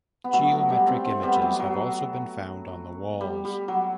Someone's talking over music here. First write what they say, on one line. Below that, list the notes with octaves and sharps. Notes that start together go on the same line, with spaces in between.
Geometric images have also been found on the walls.
B3
F#3 A3
F#3
G3 B3
A3 C4
A3 C4
G3 B3
F#3
F#3
G3
G3
F#3